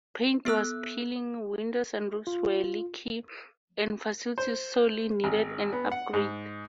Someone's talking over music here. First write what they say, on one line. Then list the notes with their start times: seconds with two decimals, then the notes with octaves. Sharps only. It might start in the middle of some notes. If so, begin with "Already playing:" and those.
Paint was peeling, windows and roofs were leaky, and facilities sorely needed an upgrade.
0.45 B3 A4 E6 F#6
2.27 F4
4.38 C5
5.24 G#1
5.73 B3
5.92 F#5
6.13 G#2